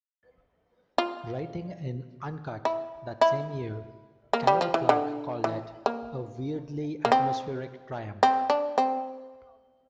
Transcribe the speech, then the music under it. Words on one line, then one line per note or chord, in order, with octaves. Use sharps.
Writing in "Uncut" that same year, Carol Clerk called it "a weirdly atmospheric triumph".
F4
E4
E4
A#3
G3
F3
E3
D3
E3
A#3
A#3
C4
C4
D4
C4